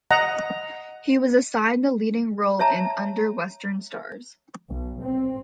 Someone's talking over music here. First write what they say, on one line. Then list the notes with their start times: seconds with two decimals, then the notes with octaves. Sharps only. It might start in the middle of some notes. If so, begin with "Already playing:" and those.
He was assigned the leading role in "Under Western Stars".
0.11 D#5 F#5 A#5
2.59 C#5 E5 A5 A#5
4.69 B1
5.02 C4